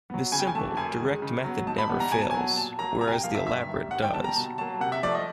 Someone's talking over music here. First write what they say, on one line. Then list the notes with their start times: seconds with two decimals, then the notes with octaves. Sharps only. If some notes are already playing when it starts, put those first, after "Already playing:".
The simple, direct method never fails, whereas the elaborate does.
0.10 F#3 B3
0.32 C#3 G#5
0.40 G5
0.47 G#5
0.55 E3 A3 A5
0.77 F#2 G#5
1.00 D#3 G#3
1.22 C#3
1.44 F#3 B3
1.67 G#2 A5
1.78 B5
1.89 E3 G3 B3
2.00 A#5
2.11 B2 G#5
2.21 A5
2.31 F#3 B3 G#5
2.56 A#2 A5
2.79 F#3 A#3 A#5
3.01 C3 A#5
3.08 G#5
3.12 G5
3.23 F3 A#3 F5
3.35 E5
3.46 G2 E5
3.69 D#3 G3
3.91 G2 F#5
4.02 G5
4.13 D#3 G3 B3 A5
4.24 A#5
4.36 B2 A5
4.58 F#3 A#3 A5
4.80 C3 F#5
4.92 E5
5.03 F3 A3 D5
5.15 D#5